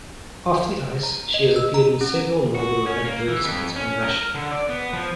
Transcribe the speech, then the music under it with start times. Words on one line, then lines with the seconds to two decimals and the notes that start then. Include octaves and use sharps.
Off the ice, she has appeared in several Marlboro advertisements in Russia.
1.03 A#5
1.34 D#5
1.56 E6
1.74 A#5
2.01 C#4
2.55 F#4
2.86 C#4
3.05 A#3
3.29 E3
3.44 F2
3.76 C#4
4.04 A#4
4.35 D3
4.51 D5
4.70 B3
4.93 F3